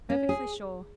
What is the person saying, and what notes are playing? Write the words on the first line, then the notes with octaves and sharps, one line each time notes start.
"Perfectly sure."
C#4
G#4